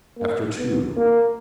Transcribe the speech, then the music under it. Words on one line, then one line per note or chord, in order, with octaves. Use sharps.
After two.
A#3
B3
A#3